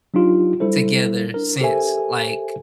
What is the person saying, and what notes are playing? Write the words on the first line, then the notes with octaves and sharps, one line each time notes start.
together since, like,
F#3 D4 D#4 F4 G4
G3 E4 A4 C5
D4 A#4
G4 A4 A#4 C5 E5 G#5